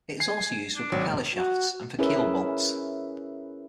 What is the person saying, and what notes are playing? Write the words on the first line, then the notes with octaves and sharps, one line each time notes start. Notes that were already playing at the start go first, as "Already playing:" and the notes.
It is also used for propeller shafts and for keel bolts.
G#5 C7
D4
G#1 F#3
F#4
C#4 E4 G#4 A#4 B4 E5